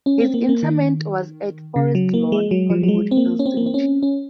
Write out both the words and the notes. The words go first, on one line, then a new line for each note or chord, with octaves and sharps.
His interment was at Forest Lawn - Hollywood Hills Cemetery.
C#4
C4
A#3
A#3
D#3
C#3
F#3
A#3
G#3
F#3
F3
F#3
G#3
C4
A#3
C#4
C4
A#3
C4
C#4
C#4